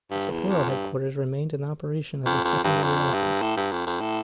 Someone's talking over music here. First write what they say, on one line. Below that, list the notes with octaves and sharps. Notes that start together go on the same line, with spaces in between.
The Sapporo headquarters remained in operation as a secondary office.
G2
E2
F2
G2
F2
F2
G2
F2
G2
A2
G2
F2
F2
A2